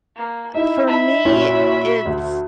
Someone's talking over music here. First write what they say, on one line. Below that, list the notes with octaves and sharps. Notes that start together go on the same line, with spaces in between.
Uh, for me, it's
A#3
D#4 E4 E5
E5 B5
A#2 C#4 E4 F#4
D2